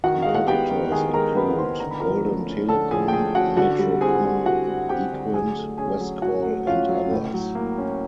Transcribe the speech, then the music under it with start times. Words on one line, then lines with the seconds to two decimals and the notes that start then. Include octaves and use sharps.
Competitors include Golden Telecom, Metrocom, Equant, Westcall, and others.
0.04 D#3 F#4 F#5
0.22 G#3 F5
0.35 F#5
0.47 B3 G4 G5
0.69 D#3
0.92 D#3 G#4 G#5
1.14 G#3 A#4 A#5
1.36 B3 B4 B5
1.57 D#3 C5 C6
1.80 D3 A#5
1.91 B5
2.00 F3 A#4 A#5
2.24 A3
2.46 C#4
2.68 D3 A4 A5
2.91 F3 G#4 G#5
3.08 G5
3.13 A3 G#4 G#5
3.35 C#4 F#4 F#5
3.57 D3 F#4 F#5
3.79 G3
4.01 C4 G#4 G#5
4.24 D3
4.46 D3 F#4 F#5
4.68 G3
4.89 C4 G4 G5
5.12 D3
5.34 F#3 G#4 G#5
5.56 A3
5.78 C#4 G#4 G#5
6.00 F#3
6.22 F#3 F#4 F#5
6.45 A3
6.67 C#4 F4 F5
6.89 F#3
7.11 A2
7.34 F#3
7.55 A#3
7.78 C#4